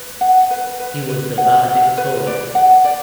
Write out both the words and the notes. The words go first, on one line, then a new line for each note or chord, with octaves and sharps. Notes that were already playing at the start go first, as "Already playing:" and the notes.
He was the valedictorian.
Already playing: B4
F#5
B4
B4
B4
F#5
F#5
B4
D5
F#5
D5